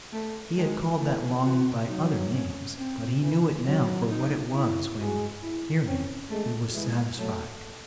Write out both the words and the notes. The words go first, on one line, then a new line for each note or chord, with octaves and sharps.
He had called that longing by other names, but he knew it now for what it was when, hearing, he was satisfied.
A3
D#3 G#3
E3 A3
E3 F#4
F#3 D#4
C#4
C4
E3
F#3 C4
D#4
E4
G#3 F#4
E4
C4 C#4
G#3 A3
E3 G#3
F#3 A3